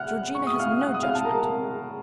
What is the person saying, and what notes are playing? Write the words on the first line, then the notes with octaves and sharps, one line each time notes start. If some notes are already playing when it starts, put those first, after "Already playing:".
Georgina has no judgment.
Already playing: F#5 F6 F#6
C#6
D#6
F5 F6
F#5 F#6
D#6
F5 F6
A5
A#4 A#5